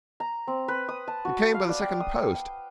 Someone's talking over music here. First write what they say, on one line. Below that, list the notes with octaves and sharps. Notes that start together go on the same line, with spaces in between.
It came by the second post.
A#5
C4
B4
D#6
A5
F#4
F5
D5
G5
D#6
G5